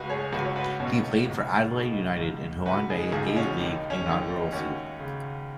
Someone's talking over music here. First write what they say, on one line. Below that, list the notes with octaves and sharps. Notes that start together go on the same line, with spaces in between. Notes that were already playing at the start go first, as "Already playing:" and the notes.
He played for Adelaide United in the Hyundai A-League's inaugural season.
Already playing: C#2 F#4 B4
G#4 C#5
C#2 F#4 B4
C#5
F#4 B4
B2 C#4 F#4
C#2
B2 D#4 G#4
C#2
C#2 F#4 B4
D#4 G#4
C#2 D#4 G#4
C#4 F#4
D#2 D#4
C#4
D#2
D#4
D#2 C#4 F#4
C#3